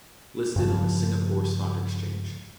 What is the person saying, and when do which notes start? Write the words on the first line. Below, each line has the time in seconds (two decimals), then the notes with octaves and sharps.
Listed on the Singapore Stock Exchange.
0.56 G2 C#3 F3